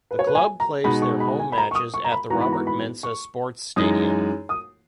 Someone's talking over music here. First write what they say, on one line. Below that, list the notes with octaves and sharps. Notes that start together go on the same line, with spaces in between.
The club plays their home matches at the Robert Mensah Sports Stadium.
B4
C#5
B4
G#5
A#5
B2 G#3 D#4 B5
C#6
B5
G#5
B5
A#5
C#6
D#6
C#6
A#5
B5
G#2 E3 B3 F#4 A#5
B5
A#5
B5
C#6
F#2 E3 G#3 D#4 D#6
D#6